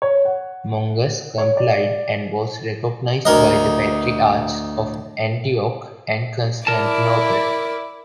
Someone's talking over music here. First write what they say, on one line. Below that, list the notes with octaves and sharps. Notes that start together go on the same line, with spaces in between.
Mongus complied and was recognized by the Patriarchs of Antioch and Constantinople.
C#5
F#5
C#5
D5
D2 A#4 D#5
E4 A#4 D5 A5